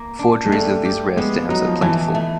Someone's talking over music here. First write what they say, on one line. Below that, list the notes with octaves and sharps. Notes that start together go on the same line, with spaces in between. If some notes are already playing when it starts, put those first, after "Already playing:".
Forgeries of these rare stamps are plentiful.
Already playing: A#3
D4
G#3
G3 A3
G4
G#3 B3
F#3 D#4
F3
E3 A3
A3